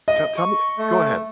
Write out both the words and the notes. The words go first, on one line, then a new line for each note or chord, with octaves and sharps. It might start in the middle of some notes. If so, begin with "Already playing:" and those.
Te tell me go ahead.
D#5
C#6
A3